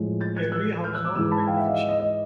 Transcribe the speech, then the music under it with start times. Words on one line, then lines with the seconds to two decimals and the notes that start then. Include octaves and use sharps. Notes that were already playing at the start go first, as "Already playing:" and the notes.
Every household went fishing.
Already playing: A2 F3 G#3
0.21 G6 A6
0.36 F#6 G#6
0.52 E6 F#6
0.84 F6 G6
0.94 E6 F#6
1.05 D6 E6
1.15 G#2 E3 G#3 D6 E6
1.31 A5 B5
1.47 F5 G5
1.57 E5 F#5
1.68 D#5 F5
1.78 D#5
1.89 D#5
2.00 D#5